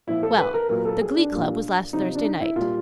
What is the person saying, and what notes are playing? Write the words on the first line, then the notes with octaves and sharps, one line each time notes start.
"Well--the glee club was last Thursday night."
A#2 F3 E4
A4
B4
A#4
A#2 F#3 A#4
A4
G#4
D4
A#2 G3
C3 F3 D#4
D4
D#4
E4
A#2 G3 F4